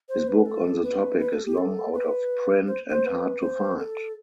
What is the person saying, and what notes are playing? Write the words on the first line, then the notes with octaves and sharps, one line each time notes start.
His book on the topic is long out-of-print and hard to find.
C5
B4
A4
B4
B4
A4
G4
A4
B4
C5
C5
B4
C5
A4